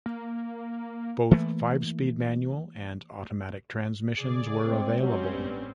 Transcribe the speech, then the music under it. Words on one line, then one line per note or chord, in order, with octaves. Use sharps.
Both five-speed manual and automatic transmissions were available.
A#3
E3 A3 A#3
G1 C#3 G#4 D5
C3 G#3 C4
F#3 G3 C4 C#4
A1 G2 B3